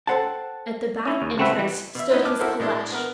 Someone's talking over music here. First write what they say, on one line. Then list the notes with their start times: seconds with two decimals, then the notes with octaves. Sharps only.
At the back entrance stood his caleche.
0.07 A4 B4 C5 F#5 G5 A5
1.05 C#4 E4
1.22 D#2
1.38 C#2 A3 C4 F#4 B4 E5
1.56 E3 G3
1.95 B2 E5
2.10 B3 C#4 D#4 E4 B4 C5
2.25 A5 D6 F6 F#6
2.39 E4 F#4 A4 A#4 C5
2.60 A2 G#3 D4 E4
2.92 B3 A#4